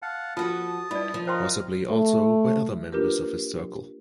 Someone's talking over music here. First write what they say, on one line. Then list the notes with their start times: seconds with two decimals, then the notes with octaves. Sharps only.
Possibly also by other members of his circle.
0.02 F5 F#5 A5
0.37 F3 F4 F#4 A4 A5 D#6
0.91 G2 E4 F4 D5
1.14 F3
1.27 A#4 C5 D#5 F5 G5 C6
1.89 A3
2.92 A#3 D4 F4 G4 A#4 B4